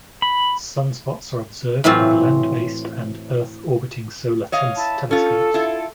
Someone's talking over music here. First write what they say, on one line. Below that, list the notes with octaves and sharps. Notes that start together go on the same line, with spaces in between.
Sunspots are observed with land-based and Earth-orbiting solar telescopes.
B5
A2 E3 F#3 C4 F4
C#5 D#5 F5
E4 E5 A5
C#4 F4 A4
E4 F4